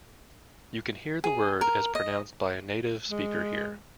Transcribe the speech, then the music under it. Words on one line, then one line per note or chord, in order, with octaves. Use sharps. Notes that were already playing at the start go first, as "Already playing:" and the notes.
You can hear the word as pronounced by a native speaker here.
G#4
A#4
D#5
G#3